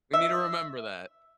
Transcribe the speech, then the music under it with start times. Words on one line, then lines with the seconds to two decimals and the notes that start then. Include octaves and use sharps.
We need to remember that.
0.14 E5